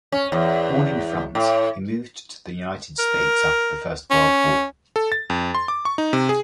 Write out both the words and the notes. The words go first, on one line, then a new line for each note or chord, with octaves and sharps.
Born in France, he moved to the United States after the First World War.
C#4
E2
A2
A#4
C#4
A4
A6
F2
C6
D6
C#6
D#4
C3
G#4